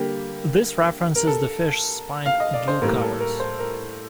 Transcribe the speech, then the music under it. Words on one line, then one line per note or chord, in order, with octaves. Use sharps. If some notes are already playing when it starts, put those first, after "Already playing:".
This references the fish's spined gill covers.
Already playing: D3 G3 A#3 G4
A#4
A4
F5
D#5
D5
C5
A2 G3 A#3 A#4
A#4
A4
A#4
C5
A#4